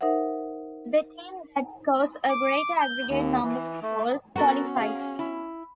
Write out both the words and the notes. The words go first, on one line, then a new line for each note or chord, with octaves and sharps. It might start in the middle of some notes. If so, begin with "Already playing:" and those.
The team that scores a greater aggregate number of goals qualifies.
D#4 A#4 C5 E5 F#5
D6
G6
D#2
E3
A3
B3 C#4 F#4 A4 A#4 C5
G#4 F5
E4